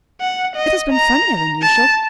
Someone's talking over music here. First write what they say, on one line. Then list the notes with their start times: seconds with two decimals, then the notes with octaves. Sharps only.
It has been funnier than usual.
0.20 F#5
0.56 D#5
0.92 A#5
1.62 A5